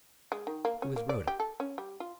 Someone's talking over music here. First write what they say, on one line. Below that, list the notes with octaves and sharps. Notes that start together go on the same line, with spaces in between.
"Who is Rhoda?"
G#3
D#3
A#3
C#4
A#3
D5
G4
A4
C#4
G3
F4